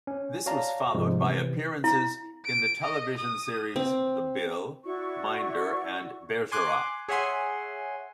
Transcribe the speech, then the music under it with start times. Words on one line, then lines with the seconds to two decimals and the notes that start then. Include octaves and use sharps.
This was followed by appearances in the television series "The Bill", "Minder" and "Bergerac".
0.07 C#4
0.46 F#4 C#5 D5 F5 A5 A#5
0.95 G#2 C3 F3 G3 G#3
1.20 C3 E3
1.84 E4
2.45 D7
2.84 D#5
3.18 D#6
3.76 C4
4.85 E4 F#4 D5 C#6
6.52 G#5 C6 D6 F#6
7.09 G#4 C#5 E5 F#5 G#5 C6